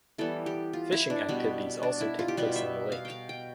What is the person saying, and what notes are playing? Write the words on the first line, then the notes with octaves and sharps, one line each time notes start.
Fishing activities also take place in the lake.
E3 G3 B3 A4
G4
F4
E4
D4
B2 G3 B3
D4
E4
F4
G4
B2 G3 B3 F4
E5
F5
F5 G5
G5